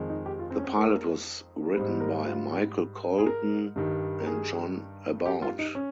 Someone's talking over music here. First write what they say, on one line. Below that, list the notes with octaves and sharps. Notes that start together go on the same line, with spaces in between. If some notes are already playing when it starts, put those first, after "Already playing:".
The pilot was written by Michael Colton and John Aboud.
Already playing: F2 D#3 G#3
D#4
G4
F4
C4
C#4
C4
A#4
G#2 G3 C5
A#4
F4
G#4
A#4
G2 D#3 G3
A#4
G#4
G4
F4
D#4
C#4